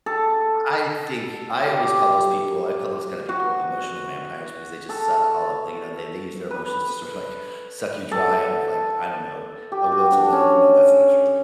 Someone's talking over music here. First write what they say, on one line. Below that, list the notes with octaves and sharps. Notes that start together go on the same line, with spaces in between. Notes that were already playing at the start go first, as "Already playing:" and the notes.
I think I always call those people I call those kind of people emotional vampires because they just suck all of the you know, they they use their emotions to sort of, like, suck you dry of, like, I don't know, a will to live. No, that's not true.
A4
G4
F#4
A4
B4
A4
G4
F#4
D4
C#4